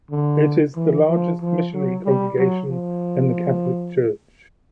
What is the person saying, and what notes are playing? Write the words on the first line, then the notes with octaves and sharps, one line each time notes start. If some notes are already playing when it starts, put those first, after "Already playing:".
It is the largest missionary congregation in the Catholic Church.
D3
E3
F3
F3
F#3
G3
F#3
F3